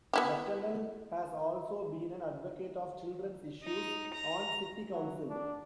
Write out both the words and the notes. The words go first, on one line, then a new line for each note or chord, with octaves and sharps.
McConnell has also been an advocate of children's issues on city council.
B3 E4 G4
D#4
A#5
F#3
D4